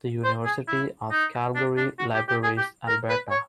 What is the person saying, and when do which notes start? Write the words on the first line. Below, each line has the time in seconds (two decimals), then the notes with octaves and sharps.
The University of Calgary Libraries, Alberta.
0.24 C5
0.45 G#4
0.68 E4
1.11 D#4
1.55 D4
1.77 D4
1.99 F#4
2.15 G4
2.29 G4
2.43 G#4
2.58 G4
2.88 A#4
3.10 B4
3.31 C#5